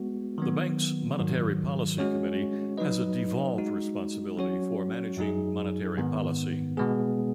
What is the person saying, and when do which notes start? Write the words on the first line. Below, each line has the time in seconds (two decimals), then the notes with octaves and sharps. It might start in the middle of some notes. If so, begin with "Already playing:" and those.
The Bank's Monetary Policy Committee has a devolved responsibility for managing monetary policy.
Already playing: G#3 B3 F#4
0.38 D#3 F#3 B3
1.18 G#2 D#3 F#3
1.98 G#3 C#4 F#4 C#5
2.78 F#3 D#4 B4 D#5
3.58 G#3 D#4 F#4
4.38 F#3 C#4 F#4 C#5
5.17 F#2 F#3 D#4 G#4
5.97 G#2 D#3 B3
6.77 B2 G#3 B3 G#4